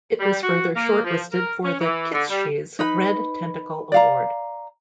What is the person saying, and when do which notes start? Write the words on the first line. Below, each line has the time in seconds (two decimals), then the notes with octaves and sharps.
It was further shortlisted for The Kitschies Red Tentacle award.
0.20 G3
0.43 F#4
0.76 A#3
1.04 F3
1.33 A#4
1.64 C#4
1.80 E3
2.13 D3
2.30 G3
2.79 D#4 B4 B5
3.92 D5 F5 A#5